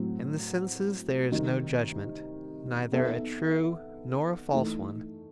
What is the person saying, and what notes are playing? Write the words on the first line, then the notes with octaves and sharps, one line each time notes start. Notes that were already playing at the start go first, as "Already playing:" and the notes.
In the senses there is no judgement--neither a true nor a false one.
Already playing: A2 F#3 C4
C3 D#3 G3
B3 D#4 A4 E5
E3 A3 D#4